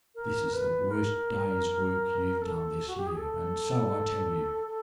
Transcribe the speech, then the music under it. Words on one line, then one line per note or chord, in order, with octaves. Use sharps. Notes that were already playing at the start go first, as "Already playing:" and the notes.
This is the worst day's work you've done this year, and so I tell you.'
A#4
B4
A#4
A4
F#4
G4
G#4
A4
A4